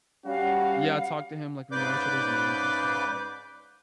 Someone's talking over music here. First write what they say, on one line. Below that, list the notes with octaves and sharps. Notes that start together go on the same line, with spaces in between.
Yeah, I talked to him like we know each other's names and stuff like
G3 C#4 F#4 F5 F#5
G#2 C#3 B4 D5 D6 G6